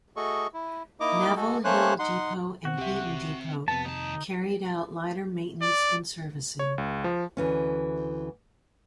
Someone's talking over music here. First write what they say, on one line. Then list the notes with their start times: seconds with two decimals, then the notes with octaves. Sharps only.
Neville Hill Depot and Heaton Depot carried out lighter maintenance and servicing.
0.16 A3 F#4 G#4 A4 D#5 C#6
0.54 E4
1.00 A#3 D#4 E4 D#5 A#5 D6
1.36 G#3 F#4 A4
1.65 A3 A#3 C#4 C5 C#5 F#6
1.99 D#4 F#5 C6
2.65 B2 C4 F#4 F#5
2.78 C2 C3 C4 G4 E5
3.68 F2 C3 B3 A5
3.85 D#2 D#4 A5
5.62 D5
6.59 C#5
6.78 C#2
7.04 F3
7.37 D2 E3 C#4